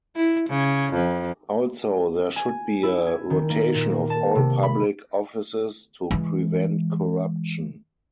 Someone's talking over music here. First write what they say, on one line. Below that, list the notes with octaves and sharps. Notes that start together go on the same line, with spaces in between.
Also, there should be a rotation of all public offices to prevent corruption.
E4
C#3
F2
G#5
E4
G#5
D#3
A#3
A#2
A#3
A5
C3
B5
E3 G#3